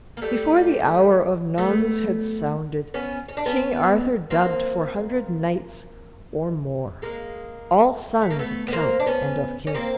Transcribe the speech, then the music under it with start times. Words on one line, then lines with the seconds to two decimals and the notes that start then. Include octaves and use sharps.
Before the hour of nones had sounded, King Arthur dubbed four hundred knights or more all sons of counts and of kings.
0.17 A#3
0.22 G3 A3
1.58 A3 B3
2.94 B3 C#4
3.28 C#4
3.37 D4
3.46 B3 C#4
4.30 A#3 C4
7.02 G#3 A#3
8.22 A3
8.30 A#3
8.39 A3 B3
8.68 B3
8.73 A#3 C4
9.00 D4
9.06 B3 C#4
9.67 C#4
9.74 A#3 C4